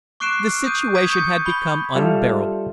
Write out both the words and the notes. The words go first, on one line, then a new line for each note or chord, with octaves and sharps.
The situation had become unbearable.
C#6 D6 F#6 C7 D7 E7
F6
D#6 G6 D#7
D#6 G#6 B6 D#7
C#6 D#6 G6 G#6 C#7
B5 G6 G7
G3 F4 A4 E5 F5